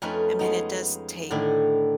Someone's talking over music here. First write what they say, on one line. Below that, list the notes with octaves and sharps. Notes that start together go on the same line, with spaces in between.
I mean, it does take
F2 A3 C#4 D#4 B4
G#3 B3 D#4
A2 D3 D#3 A3 E4